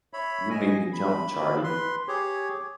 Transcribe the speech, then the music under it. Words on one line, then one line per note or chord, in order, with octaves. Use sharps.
You made me jump, Charley.
C#5 E5 B5
D#5 G#5
B5
B4 C6
G4 G#4 C#5